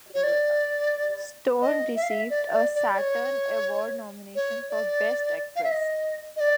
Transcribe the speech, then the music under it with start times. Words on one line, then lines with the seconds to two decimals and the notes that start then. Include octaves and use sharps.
Stone received a Saturn Award nomination for Best Actress.
0.14 C#5
0.24 D5
1.61 D#5
1.96 E5
2.03 F5
2.10 E5
2.30 D5
2.52 D5
2.75 D5
2.94 D5
2.98 C#5
4.35 C#5
4.70 D5
5.56 F5
5.64 E5
5.71 D#5
6.36 D#5
6.40 D5